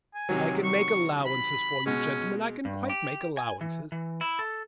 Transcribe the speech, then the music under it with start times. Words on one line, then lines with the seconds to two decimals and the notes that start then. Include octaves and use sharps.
I can make allowances for you, gentlemen, I can quite make allowances.
0.15 G#5
0.29 C3 D#3 F#3
0.64 C#6
1.26 B5
1.86 B2 G#3 C#4
2.65 G2
2.90 G4
3.37 G#5
3.61 E3
3.92 E3
4.21 E4
4.39 A4